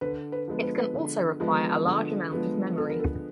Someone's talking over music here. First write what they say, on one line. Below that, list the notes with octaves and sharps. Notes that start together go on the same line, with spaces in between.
It can also require a large amount of memory.
D3 B4
B4
F3 G#3 B3
B4
B4
D3
F3 G#3 B3
D3
F3 G#3 B3
D3 A4
A#4
A4